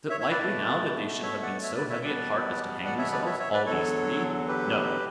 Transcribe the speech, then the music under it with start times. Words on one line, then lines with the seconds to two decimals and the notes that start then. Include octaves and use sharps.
Is it likely now that they should have been so heavy at heart as to hang themselves, all these three? No!
0.10 C#5 E5
0.20 C#5 E5
0.30 B4 D5
0.40 B2 A3
1.23 C#5 E5
1.42 D5 F#5
1.63 C#5 E5
1.76 B4 D5
1.90 C#5 E5
2.03 E2 B2 G3 B3 B4 D5
2.85 D5 F#5
2.98 C#5 E5
3.12 B4 D5
3.26 C#5 E5
3.39 C#5 E5
3.53 B4 D5
3.66 E2 D3 F#3 A4 C#5
4.48 G4 B4